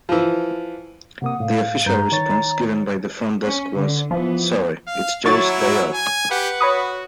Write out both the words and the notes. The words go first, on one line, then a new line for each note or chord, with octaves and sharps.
The official response given by the front desk was, Sorry, it's Joe's day off.
E3 F3
C3 A#3 F#5 D#6
A2 F5
G2 B4 A#5 G6
D#3 C#5 A6
C#4
D3
E3 F3 B3
F5
D#3 F#3 E4 C#6 A6
G#5
G4 B4 F#5
F#4 C#5 B5 D#6